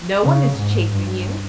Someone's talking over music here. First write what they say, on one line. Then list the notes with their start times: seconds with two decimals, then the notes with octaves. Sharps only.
No one is chasing you.
0.22 C#3
0.57 G#2
0.92 G2